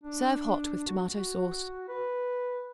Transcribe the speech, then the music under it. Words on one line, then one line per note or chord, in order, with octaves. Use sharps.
Serve hot with tomato-sauce.
D4
F#4
F#4
B4